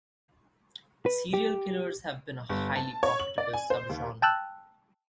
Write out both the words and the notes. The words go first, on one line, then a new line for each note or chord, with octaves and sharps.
Serial killers have been a highly profitable subgenre.
B4
G4
G1
A5
C#5
F#7
D5
G#5
C5
D#2
G5 A5 E6 F#6